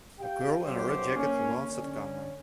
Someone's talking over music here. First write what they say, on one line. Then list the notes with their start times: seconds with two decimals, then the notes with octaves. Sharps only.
A girl in a red jacket laughs at the camera.
0.20 G4 F5 G5
0.64 B1 F#2 F#3 G4 C5
1.16 A#3 C#4
1.69 D3 C#4